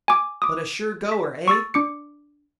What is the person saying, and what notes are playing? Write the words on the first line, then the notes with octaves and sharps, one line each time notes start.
"But a sure goer, eh?"
G#5 D6
D6 D#6
B6
C#6 E6 A6
D4 D6 C#7